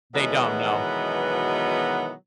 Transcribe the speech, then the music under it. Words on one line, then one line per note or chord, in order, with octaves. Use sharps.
They don't know.
B2 D#3 E3 F#3 G#3 B3